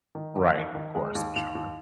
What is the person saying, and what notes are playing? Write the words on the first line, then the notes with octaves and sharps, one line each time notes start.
Right, of course, I'm sure.
D#3
D#2
D#2
D#3
G#3
D#2
D#2
D#2